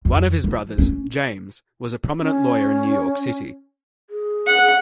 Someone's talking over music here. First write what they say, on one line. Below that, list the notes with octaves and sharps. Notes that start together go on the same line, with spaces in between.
One of his brothers, James, was a prominent lawyer in New York City.
F2
F3
C#4
C#4
G#4
F#5